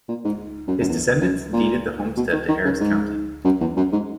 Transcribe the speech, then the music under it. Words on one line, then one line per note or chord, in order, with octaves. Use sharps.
His descendants deeded the homestead to Harris County.
A#2
G#2
F#2
F#2
E2
F#2
A#2
B2
D#3
D#3
C#3
G#2
F#2
E2
F#2
G#2